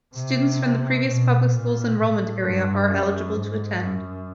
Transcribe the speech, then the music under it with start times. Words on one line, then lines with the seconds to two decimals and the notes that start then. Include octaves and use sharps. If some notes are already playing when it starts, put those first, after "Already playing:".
Students from the previous public school's enrollment area are eligible to attend.
0.15 C3
1.06 B2
1.53 A#2
1.98 A2
2.43 G2
2.89 F#2
3.35 G#2
3.81 F#2